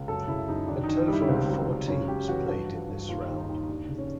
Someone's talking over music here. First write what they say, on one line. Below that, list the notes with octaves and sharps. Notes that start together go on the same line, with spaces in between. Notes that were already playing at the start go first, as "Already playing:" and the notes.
A total of four teams played in this round.
Already playing: C#2
F#2 A4
C#3 E4
F#2 D#4
D#3 D4
D#3 D#4
G3 E4
C#4
C#2 C4
F#3
C#2
F#2 C#4
F#2 G4
E3 F#4
G2 F#4
F3
G2
D#2 F4
D#3
D#4
D#2
D#2 D4
C#3
C#4